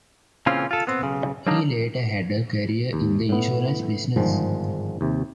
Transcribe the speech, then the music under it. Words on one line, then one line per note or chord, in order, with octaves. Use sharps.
He later had a career in the insurance business.
A#2 C#3 E3 C4 C#4 F4
F4 A4
B3 C4
B1 C#3
F#3 G3 A#3 D4 D#4
D#2
A2 B3
G1 G#2 D#3 F3 G#3
D#2 C3